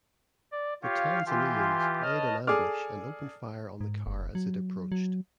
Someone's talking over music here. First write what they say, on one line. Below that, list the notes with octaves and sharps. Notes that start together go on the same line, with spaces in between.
The Tanzanians laid an ambush and opened fire on the car as it approached.
D5
F4 G4 C#5 F5
E3 F4 G4 F5 G#5 C6
B4 C#5 D#5 A5 F6
G#4 A4 D5 D6 F6
G#2
F#1
F#3
F#3